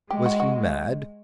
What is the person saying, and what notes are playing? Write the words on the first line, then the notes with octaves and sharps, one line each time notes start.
Was he mad?
G#3 G4
F#4
F#4